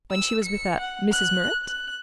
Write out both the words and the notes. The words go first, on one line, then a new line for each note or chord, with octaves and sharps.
"When she was with a Mrs. Murrett?"
E6
C#7
F#5
F#6
F#6